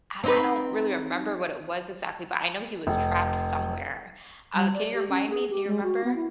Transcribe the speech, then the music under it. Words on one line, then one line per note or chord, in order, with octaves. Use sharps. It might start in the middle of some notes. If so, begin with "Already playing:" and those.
I I don't really remember what it was exactly, but I know he was trapped somewhere, uh, can you remind me? Do you remember?
C4 D#4 B4
F1
G3
D5
G4
C#4
G#4
G4
G#3
F#4
B3
E4